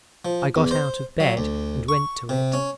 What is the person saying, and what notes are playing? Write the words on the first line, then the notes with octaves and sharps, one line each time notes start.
I got out of bed and went to it.
F3
E2
C5
F#3
D2
C#6
C3
C#4